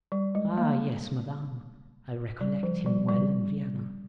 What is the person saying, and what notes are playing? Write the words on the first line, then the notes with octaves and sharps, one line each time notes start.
'Ah yes, madame, I recollect him well in Vienna.
G3
G#3
A#3
G3
F3
G3
G3